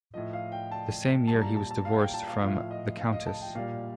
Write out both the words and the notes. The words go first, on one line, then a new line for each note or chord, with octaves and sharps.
The same year he was divorced from the Countess.
A2 F3 D#5
F5
G5
A5
A#2 G3 A5
A#5
A5
A5
F5
G5
A5
F5
A2 F3 F5
D#5
F5
D#5
A5
G5
A#2 G3 F5